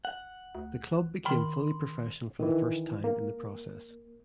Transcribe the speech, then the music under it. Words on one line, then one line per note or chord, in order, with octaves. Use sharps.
The club became fully professional for the first time in the process.
F#5
D2
D#3 B5 C6
D#3 E3
A#3